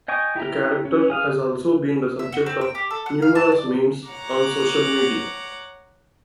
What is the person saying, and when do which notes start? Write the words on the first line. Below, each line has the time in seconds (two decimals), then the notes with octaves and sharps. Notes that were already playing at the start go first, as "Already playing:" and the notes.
The character has also been the subject of numerous memes on social media.
0.08 D#5 G5 G#5 C#6 D#6
0.36 E4 G4 A#5
0.85 C#4
1.10 G#4 F5 D#6
2.19 E5
2.32 F#4
2.46 C4
2.61 G5
2.75 G4
2.91 A4
3.06 F#5
3.22 F5
3.35 A5
3.52 D5
4.08 C#5 F#5 A#5 D6